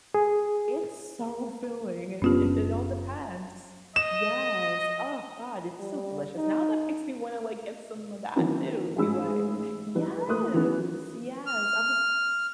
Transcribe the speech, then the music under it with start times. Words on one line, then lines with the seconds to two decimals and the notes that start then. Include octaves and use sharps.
it's, so, filling and it it all depends, yes, uh god, it's so delicious. Now that makes me wanna, like, get some of that too and be like yes, yes, I would
0.14 G#4
2.22 F#1 B3 C#4 D4 F4 G4
3.96 D#5 E7
5.80 G3
6.37 D#4
8.36 D#3 E3 F#3 A#3 C4 C#4
8.96 A1 G#2 C#4 G#4 B5 E6
9.95 E3 G3 B4
10.28 A3 A#3 D#6 F#6
10.53 D#3 E3 B3 C#4
11.46 F6